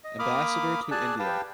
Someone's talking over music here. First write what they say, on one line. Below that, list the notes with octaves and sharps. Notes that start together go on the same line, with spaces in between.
Ambassador to India.
D#5
A#3 B5 D6 D#6 F6
G#4 D5 G#5 A5 F#6
G4 B4 F5 G5 A5